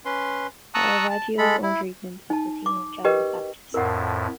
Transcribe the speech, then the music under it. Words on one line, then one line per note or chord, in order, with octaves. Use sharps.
Caravaggio's own treatment of the theme of "John the Baptist".
C#4 B4 C6
A5 A#5 C#6 D#6 E6 F#6
A5
G#3 A4 B5
E4
D#4 A5
D6
G4 A#4 B4 D#5 G5
F2 A2 A#4 F#5